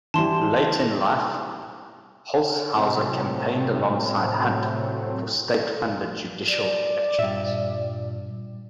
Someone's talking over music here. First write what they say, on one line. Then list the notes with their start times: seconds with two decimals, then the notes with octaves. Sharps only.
Late in life, Holshouser campaigned alongside Hunt for state-funded judicial elections.
0.14 E3 G3 A5 C6
2.75 A2 C3 F#3 A3 C4
6.46 D5
7.19 G2 A#2 E5